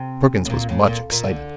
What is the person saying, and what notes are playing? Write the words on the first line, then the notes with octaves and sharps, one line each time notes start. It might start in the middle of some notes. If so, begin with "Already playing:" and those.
Perkins was much excited.
Already playing: C3
A2
A#2
A2
A#2
A#2
D3